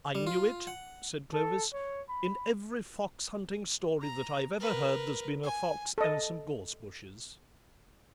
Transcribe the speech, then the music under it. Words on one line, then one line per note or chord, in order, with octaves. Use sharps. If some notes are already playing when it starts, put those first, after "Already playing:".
"I knew it," said Clovis, "in every fox-hunting story that I've ever heard there's been a fox and some gorse-bushes."
G3
F4
F#5
A4
C#5
B5
A#5
A#4 B4
G#5
A4 D#5